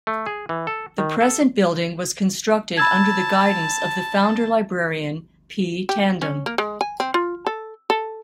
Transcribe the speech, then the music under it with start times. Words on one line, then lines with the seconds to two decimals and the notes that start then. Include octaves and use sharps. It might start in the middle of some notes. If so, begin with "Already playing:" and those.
The present building was constructed under the guidance of the founder librarian P. Tandon.
0.07 A3
0.26 G#4
0.49 E3
0.67 A4
0.98 D#3
1.21 A4
2.77 A5 B5 E6 G#6
5.89 G4
6.22 C#4
6.46 A#3
6.58 G#3
6.81 G#5
7.00 C4
7.14 F4
7.47 A4
7.90 A4